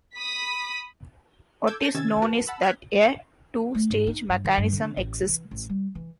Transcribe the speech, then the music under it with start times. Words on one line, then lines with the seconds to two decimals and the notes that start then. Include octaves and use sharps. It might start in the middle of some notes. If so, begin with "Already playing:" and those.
What is known is that a two-stage mechanism exists.
0.16 B5 D#6 B6
1.67 A4 D6 E6 G6 G#6
1.80 A5 G6 A6 A#6
1.94 C3 D#3 C#4 E6 G#6 A6
2.22 F#4 A#4 B4 A5
2.47 F#5 A5 B5 E6
2.62 F6 F#6 G#6 B6
3.75 A3
3.90 G#2
4.07 D#4
4.29 G2
4.45 D#3
4.58 G2
4.73 D3
4.97 A1
5.29 E3
5.51 A1
5.69 G3
5.95 E3